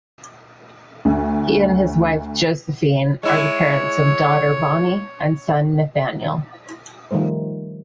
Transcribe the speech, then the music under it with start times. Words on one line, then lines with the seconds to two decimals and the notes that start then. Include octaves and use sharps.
He and his wife, Josephine, are the parents of daughter, Bonnie and son, Nathanael.
1.05 D2
3.23 G#3 E4 C#5
7.11 D#3 F3 G3 A3 C5